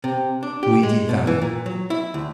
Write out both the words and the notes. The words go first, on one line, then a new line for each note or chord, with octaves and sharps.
Luigi Vampa.
C3
D4
G4
G#3
B2
E3
A#2
F#3
E4
D2